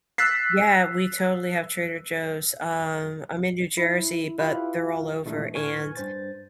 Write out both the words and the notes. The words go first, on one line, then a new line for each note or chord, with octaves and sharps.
Yeah, we totally have Trader Joe's. Um, I'm in New Jersey, but they're all over and
E6 F#6 A6 B6 C7
E4
E4 F4 G4 B4 F5
A#2 E3 G#3 A3 D4
A2 B4 G#5 C#6 F6 G#6
G2 C5 A6